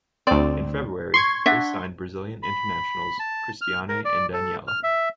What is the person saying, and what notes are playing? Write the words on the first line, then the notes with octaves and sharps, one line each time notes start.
In February, they signed Brazilian internationals Cristiane and Daniela.
D2 C4 D5
C6 C#6 G#6
D4 E5 F#5
B5
A5
F6
A#4
D5
A4
F6
E5